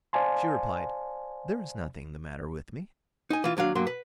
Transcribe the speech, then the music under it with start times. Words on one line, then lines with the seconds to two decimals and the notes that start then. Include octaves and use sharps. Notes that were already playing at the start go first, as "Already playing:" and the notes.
She replied: "There is nothing the matter with me."
0.13 C5 D5 F5 G#5 A5 C6
3.30 D#4 G#5
3.44 E3 F4
3.57 D#2 F#3 D4 F5
3.75 B1 G2 F#3 A#3 C6
3.87 B4